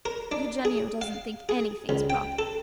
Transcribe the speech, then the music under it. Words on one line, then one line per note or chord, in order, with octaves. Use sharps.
"Eugenio doesn't think anything's proper."
A#4
D4
G#4
F5
G#4
C#2
G5
A4